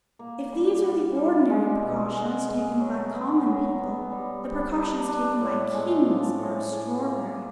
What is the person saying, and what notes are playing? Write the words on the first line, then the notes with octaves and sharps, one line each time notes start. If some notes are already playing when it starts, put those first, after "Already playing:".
If these are the ordinary precautions taken by common people, the precautions taken by kings are extraordinary.
A#3
G3
G3
G3
G#3
B2
G#3
G#3
F#3
B3
F#3
B3
G3
G3
D4
D4
A2
G#3
F3
A2
G#4
A#3